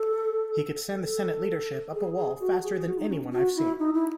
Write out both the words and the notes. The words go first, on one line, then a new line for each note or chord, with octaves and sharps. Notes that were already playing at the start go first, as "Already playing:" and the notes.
He could send the Senate leadership up a wall faster than anyone I've seen.
Already playing: A4
A4
G#4
G#4
F#4
G#4
F#4
D#4
C#4
F#4
E4
D#4
E4